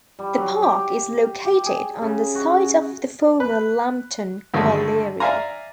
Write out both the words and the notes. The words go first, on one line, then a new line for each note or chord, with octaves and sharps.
The Park is located on the site of the former Lambton Colliery.
G3
F#3
G4
G4
G#4
C#3
F#4
B4
G2 D3 D#3 F#3 G#3 A3
D5 E5 F5 G#5 A#5